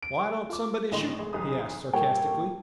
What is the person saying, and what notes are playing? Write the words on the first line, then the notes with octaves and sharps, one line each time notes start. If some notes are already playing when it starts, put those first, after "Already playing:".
"Why don't somebody shoot?" he asked sarcastically.
D7
F4 D6
G#1 A2 D3 D#5 C6
F1 G#3
B1 E2 G4 D#6
A#2 G3 A#3 A4 C#5 G5